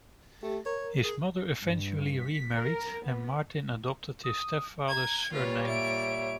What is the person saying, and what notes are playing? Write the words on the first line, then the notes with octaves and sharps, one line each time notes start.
His mother eventually remarried and Martin adopted his stepfather's surname.
A3 G4
A#4 C#5
G#4
G2
B6
A#4
B3
D#6
A#5 G#6
A#2 G3 F4 B4 C#5
E5 D7